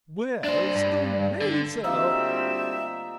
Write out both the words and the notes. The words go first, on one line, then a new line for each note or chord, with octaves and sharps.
"Where's the razor?"
D4 C5 D5
G2
D3
D2 G3 A#3 C4 D#4 F4 E5 E6